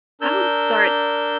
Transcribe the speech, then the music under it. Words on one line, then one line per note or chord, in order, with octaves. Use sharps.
I would start
D4 A#4 E6 G6